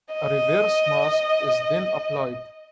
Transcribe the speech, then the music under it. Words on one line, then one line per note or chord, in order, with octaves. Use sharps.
A reverse mask is then applied.
D#5